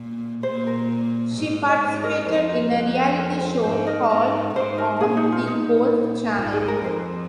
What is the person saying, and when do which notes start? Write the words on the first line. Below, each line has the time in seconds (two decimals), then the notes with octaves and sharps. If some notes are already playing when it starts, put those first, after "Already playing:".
She participated in a reality show called on the Golf Channel.
Already playing: A#2
0.43 A#2 C5
0.67 A#4
1.35 G#2
1.69 D#5
1.81 G#2 C5
2.03 A#4 D#5
2.26 F2 C5
2.73 F2
3.19 A#4
3.41 C5
3.63 G#2 C5 F5
3.87 A#4 D#5
4.10 G#2 A#4 D#5
4.55 G#2 C5
4.78 A#4
5.00 A#2 G#4
5.17 D#4
5.32 F4
5.47 A#2 D#4
6.38 G#2 F4
6.53 G#4
6.68 A#4
6.84 F2 C5